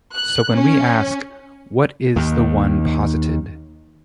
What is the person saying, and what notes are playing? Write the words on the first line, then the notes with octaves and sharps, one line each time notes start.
So when we ask, What is the one posited?
F#6
C#4
D#2 D#3